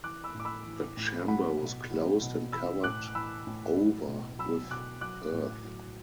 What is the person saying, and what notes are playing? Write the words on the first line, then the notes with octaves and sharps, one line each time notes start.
The chamber was closed and covered over with earth.
E3 D6 F#6
B5 E6
A2
D6
B5 E6
E3
A2
F#3 F#5 B5
B2
F#3
B2
E3 B5 E6
A2 D6 F#6
E3 B5 E6
A2
F#3
B2
F#3 B5 E6
B2 D6 F#6
F#3 D6 F#6
A2
F#3